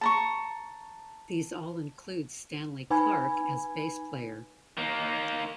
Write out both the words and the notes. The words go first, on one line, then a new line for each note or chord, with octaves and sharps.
These all include Stanley Clarke as bass player.
A5 A#5 C#6
D#4 B4 G#5 B5 G#6
D#3 A#3